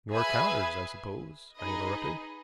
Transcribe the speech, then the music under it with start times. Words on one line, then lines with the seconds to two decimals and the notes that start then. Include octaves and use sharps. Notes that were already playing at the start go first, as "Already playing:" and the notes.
"Nor counters, I suppose," I interrupted.
0.12 G#4 B4 E5 G#5
1.56 D#4 G#4 B4 D#5